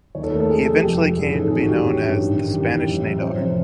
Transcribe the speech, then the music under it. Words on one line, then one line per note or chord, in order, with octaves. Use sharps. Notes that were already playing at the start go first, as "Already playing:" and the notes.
He eventually came to be known as the "Spanish Nadar".
D#2 C#5
A4
A3 A#4
A4
G#3 G#4
F1 A4
G4
F3 G#4
F3
A1 G#4
G#2 A4
G#1 G#4
F#4
F#3 G4
A1
G2
G#2
D#3
A1 G4
A1
F#2
F#2
C3 C5
F1